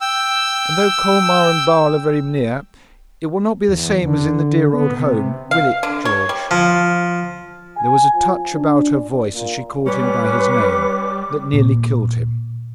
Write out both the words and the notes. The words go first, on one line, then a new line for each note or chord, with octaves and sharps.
And though Colmar and Basle are very near, it will not be the same as in the dear old home;--will it, George?' There was a touch about her voice as she called him by his name, that nearly killed him.
G5 E6
E2
D3
B3
C3
F5
D3
C#5
G3
F3
G#5
F3
D4
D5
A#2
G3 C#4 B4 D6
A#2